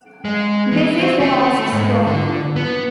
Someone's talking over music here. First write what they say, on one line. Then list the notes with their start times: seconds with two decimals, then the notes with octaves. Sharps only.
This is the last straw.
0.25 G#3
0.72 E3
0.99 C4
1.20 A3
1.72 G#2
2.07 D3
2.56 B3